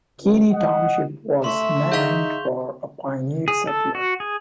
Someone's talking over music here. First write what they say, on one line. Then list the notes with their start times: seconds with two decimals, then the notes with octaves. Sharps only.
Keene Township was named for a pioneer settler.
0.21 C#2
0.52 D#5 F#5
1.44 A3 E5 C6 C#6
1.92 D#4 G#4 F5 G6 B6 F7 G7
3.48 G#4
3.67 A4
3.95 F#4
4.20 G#4